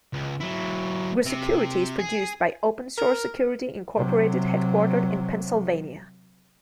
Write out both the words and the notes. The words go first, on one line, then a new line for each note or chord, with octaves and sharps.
Grsecurity is produced by Open Source Security, Incorporated headquartered in Pennsylvania.
C#2
F#3 E4
C3
G#4
A#4
C3 F#3